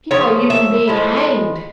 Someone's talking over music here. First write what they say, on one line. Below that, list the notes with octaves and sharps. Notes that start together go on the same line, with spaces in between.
He might even be hanged.
C#3 F3 C#5
E5
A2 F3 G#3